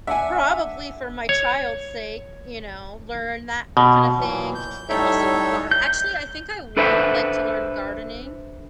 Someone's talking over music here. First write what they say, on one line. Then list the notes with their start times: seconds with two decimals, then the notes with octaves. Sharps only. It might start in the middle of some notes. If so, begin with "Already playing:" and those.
probably for my child's sake, you know, learn that kind of thing," and also, gar actually, I think I would like to learn gardening,
0.07 D4 E5 F#5 G#5
1.29 C#5
3.77 B2
4.16 A#2 E3 F#3
4.55 G6
4.89 A2 G3 D#4 A4 C#5 E5
5.71 G6
6.77 D4 A4 B4 C5 E5